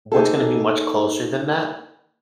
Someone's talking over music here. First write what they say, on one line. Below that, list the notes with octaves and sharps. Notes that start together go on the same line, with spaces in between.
what's gonna be much closer than that
A#3 D#4 G#4 A4